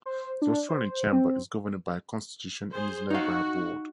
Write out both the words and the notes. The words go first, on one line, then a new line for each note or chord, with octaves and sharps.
The Australian Chamber is governed by a constitution and is led by a Board.
C5
D4
C5
C4
G#4 C5
D#4 F#4 F5